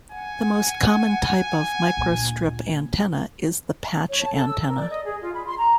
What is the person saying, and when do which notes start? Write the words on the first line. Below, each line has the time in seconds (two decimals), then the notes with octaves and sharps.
The most common type of microstrip antenna is the patch antenna.
0.12 F#5 G#5
1.97 D2 A#2
4.09 C#5
4.21 A5
4.34 A4
4.46 E6
4.66 A#4
4.77 D5
4.90 D#5
5.04 G#4
5.20 F4
5.33 B5
5.47 C6
5.59 A#5